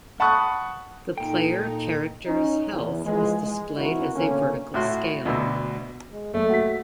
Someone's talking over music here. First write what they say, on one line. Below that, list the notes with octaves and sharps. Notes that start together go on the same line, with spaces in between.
The player character's health is displayed as a vertical scale.
F#5 A5 B5 C#6 D#6 F#6
A#2 D#4 A4 G5
C#4 D#4
E2
E3 F3 G#3
G#3
E3 C4 E4 F#4 A#4
B2 D3 A#3 C#4
A2 E4 F#4 C6
D2 B2 D3 E6
G#3
F#1 A3
F#4 B6